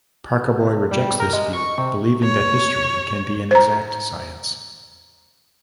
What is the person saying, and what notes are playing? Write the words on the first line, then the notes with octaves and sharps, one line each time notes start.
Parkaboy rejects this view, believing that history can be an exact science.
G3
A#4
G#3
C#6
C3
C#5
C5 A#5